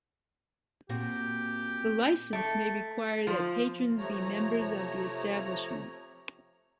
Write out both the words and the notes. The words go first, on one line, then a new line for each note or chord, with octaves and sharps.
The license may require that patrons be members of the establishment.
A#2 C4 F#4 G4
A3
F3
C3 F3 A3 C#5 A#5